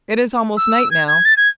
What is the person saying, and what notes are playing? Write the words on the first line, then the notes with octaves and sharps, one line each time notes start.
It is almost night now.
E6
G#6
G#6
A6
G#6